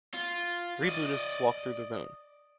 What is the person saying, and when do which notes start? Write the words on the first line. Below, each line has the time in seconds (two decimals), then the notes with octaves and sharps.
Three Buddhists walk through the moon.
0.14 F4
0.84 D5 D#5